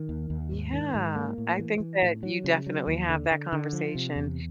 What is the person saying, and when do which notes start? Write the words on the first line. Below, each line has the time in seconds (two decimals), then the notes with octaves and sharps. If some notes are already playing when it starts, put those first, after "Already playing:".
Yeah, I think that you definitely have that conversation.
Already playing: D#3
0.09 D#2
0.30 D#2
0.52 G#2
0.73 D#3
0.95 G#2
1.16 A#3
1.38 A2
1.59 E3
1.80 E3
2.02 A2
2.23 F#3
2.44 C#3
2.66 F#3
2.87 D#2
3.09 D3
3.31 D3
3.52 D3
3.73 F3
3.95 C3
4.16 E2